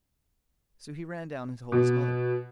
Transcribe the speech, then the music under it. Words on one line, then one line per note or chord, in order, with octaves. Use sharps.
So he ran down and told his mother.
B2